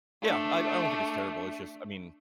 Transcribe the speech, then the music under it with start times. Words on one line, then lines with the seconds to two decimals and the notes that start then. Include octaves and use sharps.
Yeah. I I don't think it's terrible. It's just I mean,
0.22 A3 D4